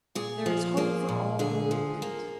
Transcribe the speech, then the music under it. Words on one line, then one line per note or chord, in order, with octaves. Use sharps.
There is hope for all who repent!'
A#2 G#4
F3
A#3 G#4
A#2
D3 G#4
F3
A#3